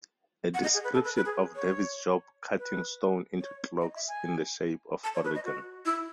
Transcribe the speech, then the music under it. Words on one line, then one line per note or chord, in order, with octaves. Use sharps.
A description of David's job cutting stone into clocks in the shape of Oregon.
F#5
D#5
G#4
B4
A4
B4
B4
G#4
C#5
B4
C#5
D#5
E5
G#5
A5
C#5
B4
D#5
F#4
E4